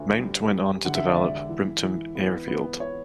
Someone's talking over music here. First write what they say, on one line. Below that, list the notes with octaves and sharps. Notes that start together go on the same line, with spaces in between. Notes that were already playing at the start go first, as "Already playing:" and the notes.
Mount went on to develop Brimpton Airfield.
Already playing: D2 D3
G3
G3
D3 F#5
E5
D5
E1 E5
E3
E3
B3
B3
C#5